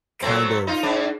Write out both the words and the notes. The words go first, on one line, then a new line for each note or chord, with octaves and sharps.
kind of
F#3 A3 C4
D#4 F4
G#2 D4